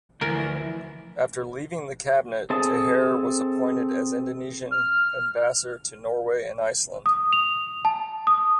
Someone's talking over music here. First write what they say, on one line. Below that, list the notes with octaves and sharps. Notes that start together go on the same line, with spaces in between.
After leaving the cabinet, Taher was appointed as Indonesian ambassador to Norway and Iceland.
D2 E3 F3 E4 A#4 G#5
C4 G#4 A4 D#5 A5
F6
D#6
F7
A5
D#6